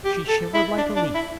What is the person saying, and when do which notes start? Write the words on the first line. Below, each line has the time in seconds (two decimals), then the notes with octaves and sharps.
She shivered like a leaf.
0.04 G4
0.28 A4
0.54 E4
0.77 D4
0.96 D4
1.14 E4